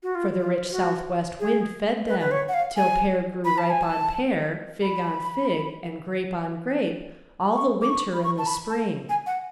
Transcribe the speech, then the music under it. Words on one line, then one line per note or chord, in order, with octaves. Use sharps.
For the rich southwest wind fed them, till pear grew ripe on pear, fig on fig, and grape on grape, all the winter and the spring.
F#4
F4
F4
F#4
G#4
B4
B4
C#5
F#5
F5
G#5
B5
A5
G#5
A5
B5
C#6
D6
C#6
B5
C#6
A5
B5
A5
G#5
F#5